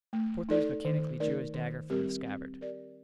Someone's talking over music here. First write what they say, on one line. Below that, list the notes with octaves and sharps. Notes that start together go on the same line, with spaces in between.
Porthos mechanically drew his dagger from the scabbard.
A3
D#4 A4 D5
D#3
A3 D#4 A#4 D5
D#3
G3 C4 G4 A#4
C4
G4 A#4 D5